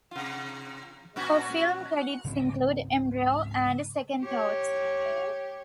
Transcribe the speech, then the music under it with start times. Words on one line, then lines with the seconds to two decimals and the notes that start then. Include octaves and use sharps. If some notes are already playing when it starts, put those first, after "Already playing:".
Her film credits include "Embryo" and "Second Thoughts".
0.11 C3 F4
1.16 A#2 C#4 F#4
2.24 G#2 C#3 C4
4.20 G4 C#5